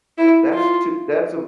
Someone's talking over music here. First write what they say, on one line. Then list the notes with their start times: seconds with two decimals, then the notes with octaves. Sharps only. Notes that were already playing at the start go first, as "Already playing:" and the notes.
that's to that's a
0.18 E4
0.54 F4